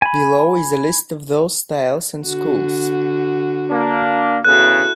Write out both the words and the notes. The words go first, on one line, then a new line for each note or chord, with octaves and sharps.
Below is a list of those styles and schools.
G#5 B5
D3 F#4
A#3 D4
E2 C#3 B3 E4 F#4 A4 F#6